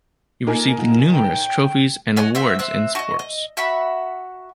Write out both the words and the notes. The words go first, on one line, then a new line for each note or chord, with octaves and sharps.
He received numerous trophies and awards in sports.
A#3 D#4 F4 A4 A#4 G#5
F4 F#4 A4
C#5 G5
C#5 D#5 F#5 G#5
C4 F#4 E5
C4 E5 F#6
F#4 D#5
D#5
F#4 E5 F#5 B5